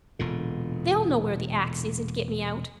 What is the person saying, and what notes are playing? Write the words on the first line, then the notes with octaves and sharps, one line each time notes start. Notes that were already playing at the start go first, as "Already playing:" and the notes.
They'll know where the axe is and get me out.
E1 A#2 D3